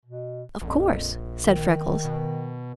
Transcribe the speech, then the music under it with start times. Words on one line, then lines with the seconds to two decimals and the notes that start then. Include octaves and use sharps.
"Of course!" said Freckles.
0.05 B2
0.62 A#1 F2
1.45 D#3
2.05 B2